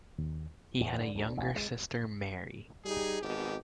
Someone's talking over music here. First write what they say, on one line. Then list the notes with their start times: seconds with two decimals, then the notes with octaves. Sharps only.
He had a younger sister Mary.
0.18 D#2
0.80 E2 B2
0.99 G2 D3
1.15 D2
1.37 A1 D2
1.56 G#3
2.85 G3 D#4 G#4
3.21 G#1 G#2 B2 G4